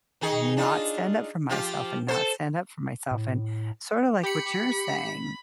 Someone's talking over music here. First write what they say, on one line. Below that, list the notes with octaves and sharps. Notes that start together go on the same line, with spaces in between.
not stand up for myself and not stand up for myself, and, sorta like what you're saying
D#3 D#4 G#4
D4 D#4 F4
F3 F4 G4
A4 C5
A2
G4 B5 C#7